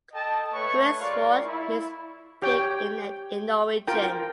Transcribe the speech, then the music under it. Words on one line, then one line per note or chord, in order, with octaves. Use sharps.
Grise Fiord means "pig inlet" in Norwegian.
A4 D#5 G5 A5
A3 B4 C#5 C#6
G#3 F4 A#4 D5 F5 C#6
E4
G4 C#5 G5
F4 A#4 G5